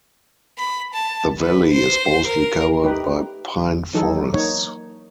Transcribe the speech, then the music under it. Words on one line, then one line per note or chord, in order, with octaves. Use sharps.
The valley is mostly covered by pine forests.
B5
A5
B4
C5
A#4
A3 D#4 G4 B4
E3 F#3 D#4 G#4 A4
A#3 D#4 C#5